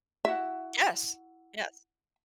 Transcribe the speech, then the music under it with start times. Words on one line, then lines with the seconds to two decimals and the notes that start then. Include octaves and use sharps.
Yes, yes.
0.25 E4 F#4 E5 F#5